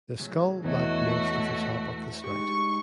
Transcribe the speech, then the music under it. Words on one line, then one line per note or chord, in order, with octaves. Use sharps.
The skull lacked most of the top of the snout.
A2 C#3 F#3
E2 A3 F#4 B4 C#5 D#5
G#3 D#4 G4 C#6